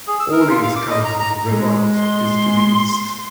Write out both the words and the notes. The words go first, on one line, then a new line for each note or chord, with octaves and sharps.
Orleans County, Vermont, is to the east.
G#4
E6
A#4
F4
F5
D6
D#5
A#5
A#5
G#3
C6